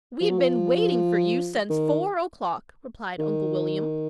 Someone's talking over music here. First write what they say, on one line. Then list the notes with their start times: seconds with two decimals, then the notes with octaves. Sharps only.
"We had been waiting for you since four o'clock," replied Uncle William.
0.20 F3
0.30 F#3
0.39 F3
1.70 D#3
3.19 D#3